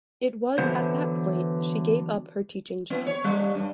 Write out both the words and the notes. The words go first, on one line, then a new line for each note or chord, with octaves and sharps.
It was at that point she gave up her teaching job.
D3 E3 F#3 B3 C5
B3
C#5
G3
G2